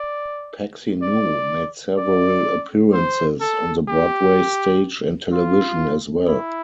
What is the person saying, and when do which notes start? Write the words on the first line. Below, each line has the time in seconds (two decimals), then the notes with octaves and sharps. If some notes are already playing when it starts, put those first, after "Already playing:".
Paxinou made several appearances on the Broadway stage and television as well.
Already playing: D5
1.02 D5
1.97 D5
2.93 C5
3.41 A4
3.88 G4
5.32 F4
6.28 E4